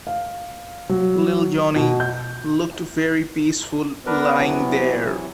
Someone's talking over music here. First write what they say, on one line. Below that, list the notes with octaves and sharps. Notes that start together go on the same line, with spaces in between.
Little Johnnie looked very peaceful lying there.
F5
F#3
B2
G6
B3 D4 A#4 B4
C3 E3 F#3